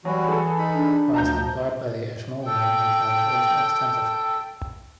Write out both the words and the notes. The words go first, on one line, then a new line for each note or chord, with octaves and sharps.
Whilst employed by the Ashmolean he travelled extensively.
E3 F#3 G3 F#4
G#4 A4
D#4 B5
D4
D2 F3 A5 A#5 G6
A4 G5